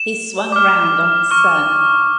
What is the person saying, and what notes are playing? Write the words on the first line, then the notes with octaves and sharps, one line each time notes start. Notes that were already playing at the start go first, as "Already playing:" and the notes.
He swung round on his son.
Already playing: E7
D6 F6
C#6 F6